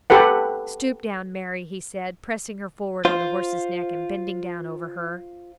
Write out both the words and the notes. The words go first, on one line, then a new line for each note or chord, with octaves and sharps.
"Stoop down, Mary," he said, pressing her forward on the horse's neck and bending down over her.
G4 A4 B4 F#5
F4 C5